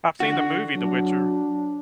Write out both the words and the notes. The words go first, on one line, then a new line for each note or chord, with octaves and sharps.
I've seen the movie The Witcher.
D3 F#4
F#3 D4